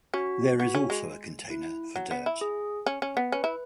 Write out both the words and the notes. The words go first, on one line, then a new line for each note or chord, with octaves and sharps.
There is also a container for dirt.
C#4 F#4
B3 F#4
C#4
G#3
E4
F#3
B3
E4
G#4
C#4
C#4
B3
C#4 B4
E4